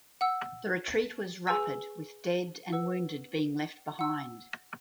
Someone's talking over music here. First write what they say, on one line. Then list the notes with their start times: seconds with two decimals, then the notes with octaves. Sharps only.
The retreat was rapid with dead and wounded being left behind.
0.21 F#5 E6
1.47 G#4 B4 G#5 E6
2.72 B4 F#5 E6
3.99 F#5 E6